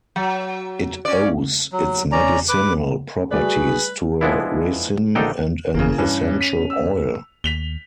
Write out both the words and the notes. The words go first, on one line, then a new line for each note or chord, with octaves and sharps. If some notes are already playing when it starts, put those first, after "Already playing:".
It owes its medicinal properties to a resin and an essential oil.
F#3
C#4 D5
F#3
C#4 D5 A#5
B4 D6
G3 A3 F#4 G#4 B4 D5
F3 G#3 B3 D4 E4
A#1 D3 D4 D#4 A4 G5
F#1 C#3 E3 A#3
G2 E3 C#4
B6 D#7 F7
E6
D#2 B6 F7 G7